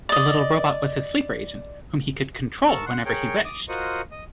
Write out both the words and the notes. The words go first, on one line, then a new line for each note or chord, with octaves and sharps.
The little robot was his sleeper agent, whom he could control whenever he wished.
D5 D#5
A#4 A5 C#6 E6
F#5 C6 F#6
G#4 A#4 C#5 G5
D6 D#6
F4 F#4 A#4 C5 D#5 F#5
D#5